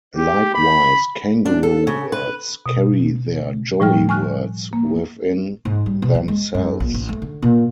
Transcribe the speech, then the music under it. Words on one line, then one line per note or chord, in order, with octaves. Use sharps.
Likewise, "kangaroo words" carry their "joey words" within themselves.
G4
B5
D4
A4
C#3
B4
B2
A2 F3 G3 G5 F6
G#5 C#6 F6 F#6
A#3
G#2
G3
B2
F#3
G#3
F#2
A#1
A1
A3
D3
A#2